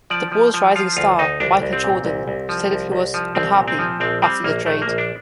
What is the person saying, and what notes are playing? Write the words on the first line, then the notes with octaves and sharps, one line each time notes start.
The Bulls' rising star Michael Jordan stated he was "unhappy" after the trade.
F3 D5
F3
F3
F3 F4
D2 F4
D2 D#4
C2 D4
C2
C4
A#2
C2
C2
F3
C2
C2
F3
C2 C4
A#2
C4
F3
A#1 C4
G3 C4
A#1 A#3
A#1 A3
A#3
A#1
D4